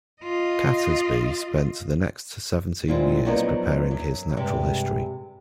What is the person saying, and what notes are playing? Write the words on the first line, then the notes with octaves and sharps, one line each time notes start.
Catesby spent the next seventeen years preparing his "Natural History".
F4 D#5
A#2 E3 G#3 C4 F4
F3 F#3 A#3 B3 D4 D#4
F#2
G2 C3 G#3